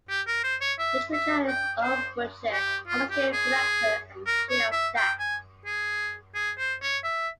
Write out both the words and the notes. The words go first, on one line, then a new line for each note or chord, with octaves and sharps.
Each region has its own budget, administrative director and chief of staff.
G4
A#4
C5
C#5
E5
E5
G5
C5
G4
F4
G4
G#4
A#4
C#5
E5
G5
G#5
G#4
G#4
C5
C#5
E5